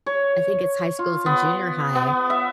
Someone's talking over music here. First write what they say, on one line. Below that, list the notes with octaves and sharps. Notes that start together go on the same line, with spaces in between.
I think it's high schools and junior high,
C#5
F4
B3
B3
E5